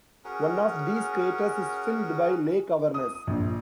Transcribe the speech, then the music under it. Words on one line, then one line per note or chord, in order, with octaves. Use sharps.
One of these craters is filled by Lake Avernus.
C#4 F#4 G#4 A#4
D#6
A#1